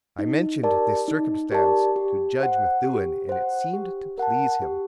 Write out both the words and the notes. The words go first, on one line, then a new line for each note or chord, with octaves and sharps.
I mentioned this circumstance to Judge Methuen, and it seemed to please him.
D#4
G4 A#4 D5 A5
D#4
G4 A#4 D5 A5
G4
C5 F#5
G4
C5 F#5
G4
A#4 F#5 A5
G4